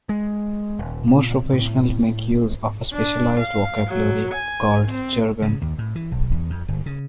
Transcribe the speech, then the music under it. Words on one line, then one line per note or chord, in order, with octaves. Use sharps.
Most professionals make use of a specialised vocabulary called jargon.
G#3
D#1
A#2
A2
D4
F5
F#3
G#5
C4
C#3
D#2
A2
E3
B1
E2
F2
G1
C#3